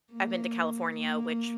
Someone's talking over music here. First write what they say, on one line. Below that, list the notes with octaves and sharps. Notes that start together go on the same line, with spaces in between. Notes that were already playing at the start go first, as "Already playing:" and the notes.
I've been to California, which,
A#3
A#3